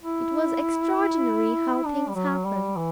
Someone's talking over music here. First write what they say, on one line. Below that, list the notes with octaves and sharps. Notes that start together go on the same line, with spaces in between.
It was extraordinary how things happened.
E4
D4
G3
F#3
G3
E3